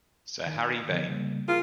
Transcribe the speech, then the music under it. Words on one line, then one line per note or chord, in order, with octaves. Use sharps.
Sir Harry Vane!
D#3
D3 F3 B3
C#3 G3 A#3
F4 G#4 A#4 F5